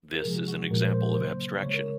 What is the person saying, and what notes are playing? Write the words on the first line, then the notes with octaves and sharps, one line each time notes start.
This is an example of abstraction.
A#4
C3 F3 G#3 G#4
F#4
F#4
A#2 F3 G#3 A#4
C5
C5
A#4
C#3 F#3 A#3 C5
C#3 G#3 C#5
A#4